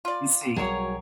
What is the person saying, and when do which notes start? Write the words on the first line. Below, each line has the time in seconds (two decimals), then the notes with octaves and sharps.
you see?
0.05 F4 D5
0.56 B1 F#3 G3 G#4 A#4 C#5